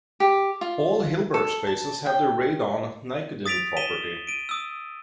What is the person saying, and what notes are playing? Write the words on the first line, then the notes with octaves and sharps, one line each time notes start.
All Hilbert spaces have the Radon-Nikodym property.
G4
F4
A4
A5
G5
D#6 A6 B6 D7 F7
B6 D#7 E7 G7
D7 D#7
D#6 E6